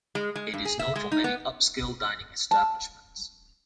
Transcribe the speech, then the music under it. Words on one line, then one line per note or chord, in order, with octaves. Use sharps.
It is known for many upscale dining establishments.
G#3
G#3
G2
G#4
E5
G#3
D#4
B3
A5